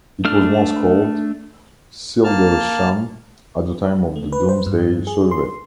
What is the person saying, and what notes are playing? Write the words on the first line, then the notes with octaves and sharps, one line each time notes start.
It was once called "Cildresham", at the time of the Domesday survey.
A3 D4 F6
A#3 A5 F6
A3
B4
C5
G2
G#4
C6